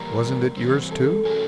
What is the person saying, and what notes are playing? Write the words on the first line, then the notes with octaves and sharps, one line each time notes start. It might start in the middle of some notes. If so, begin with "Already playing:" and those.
Wasn't it yours, too?'
Already playing: E3 G3 A#3 A#4
E3 G3 C4
A4
A3 C#4 F#4 G#4 A#4 C#5